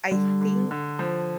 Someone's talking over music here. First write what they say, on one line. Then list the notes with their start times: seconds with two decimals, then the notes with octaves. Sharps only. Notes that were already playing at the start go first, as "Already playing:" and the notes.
I think
0.11 D3 G3
0.41 D3
0.71 D3
0.99 F3